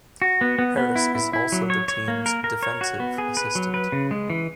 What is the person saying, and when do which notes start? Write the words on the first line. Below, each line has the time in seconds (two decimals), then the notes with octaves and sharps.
Harris is also the team's defensive assistant.
0.22 F#4
0.41 B3
0.59 B3
0.77 B3
0.96 E4
1.15 E4
1.33 E4
1.52 F#3
1.70 C#5
1.88 C#5
2.08 A#3
2.26 A#4
2.44 A#4
2.63 C#5
2.81 F#4
3.00 B3
3.18 G#4
3.37 B4
3.55 F#3
3.74 B4
3.92 C#3
4.11 G#3
4.30 E3